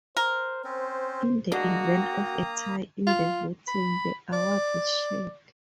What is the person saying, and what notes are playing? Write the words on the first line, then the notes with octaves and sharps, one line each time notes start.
In the event of a tie in the voting, the award is shared.
A#4 C5
C4 C#4 C5
G#3 A#3 D4 F#4 A#5 D#6
G5
F4
B5
D5